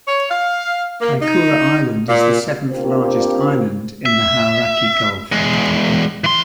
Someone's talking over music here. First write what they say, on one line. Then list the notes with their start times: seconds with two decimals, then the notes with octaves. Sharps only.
Kaikoura Island is the seventh largest island in the Hauraki Gulf.
0.08 C#5
0.30 F5
1.01 A#3
1.22 D#4
2.09 A#2
2.71 A#3 C4 D4 F4 G4 C5
4.06 E5
5.32 E2 G#3
6.24 E3 C6